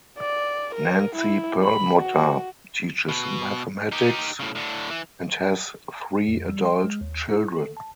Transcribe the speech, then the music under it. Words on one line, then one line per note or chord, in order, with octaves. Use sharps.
Nancy Perlmutter teaches mathematics and has three adult children.
D5
A#4
E4
B5
F#4
B2
D#4 G4
A2 C#3
A2 D3
E3
F2
G3
C6
G#3
D#2
E4
A4
A5